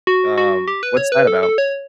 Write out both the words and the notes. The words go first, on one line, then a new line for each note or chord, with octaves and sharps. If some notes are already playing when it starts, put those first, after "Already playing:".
Um, what's that about?
F#4
F#4
G4
B4
C#5
B4
A4
A4
C#5